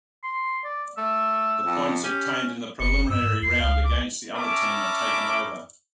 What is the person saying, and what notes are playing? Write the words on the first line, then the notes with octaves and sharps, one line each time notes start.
The points obtained in the preliminary round against the other team are taken over.
C6
D5
A3 E6
F2
C#4 G4
F#1 C#7
G2 E6
G#2
E2 C7
C#2 F5
D6
C#4 A#4 E5 A5 B5 D6